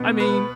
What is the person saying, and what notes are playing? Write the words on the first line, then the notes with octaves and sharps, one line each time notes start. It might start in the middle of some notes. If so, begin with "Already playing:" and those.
I mean,
Already playing: B2 B3
B4